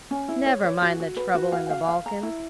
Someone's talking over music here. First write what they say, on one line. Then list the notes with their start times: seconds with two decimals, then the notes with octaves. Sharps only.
'Never mind the trouble in the Balkans.
0.11 C#4
0.28 E4
0.46 C#5
0.64 C#5
0.82 F#4
1.00 F#4
1.16 B4
1.34 F#4
1.52 F5
1.70 F5
1.88 F5
2.06 A#5
2.23 E4